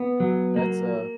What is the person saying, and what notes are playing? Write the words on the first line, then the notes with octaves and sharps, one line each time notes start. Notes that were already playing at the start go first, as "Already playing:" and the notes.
That's, uh
Already playing: B3
F#3
A#3